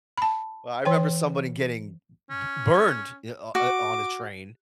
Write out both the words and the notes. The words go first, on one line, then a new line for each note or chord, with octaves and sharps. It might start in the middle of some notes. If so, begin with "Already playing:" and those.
Well, I remember somebody getting b b burned i on i on a train,
A5 B5
E3 C#5 G5
C#4
F#4 D6